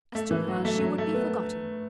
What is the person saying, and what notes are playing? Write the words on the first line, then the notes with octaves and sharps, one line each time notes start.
As to her she would be forgotten.
A3
E3
F#3
A3
F#3
A3
B3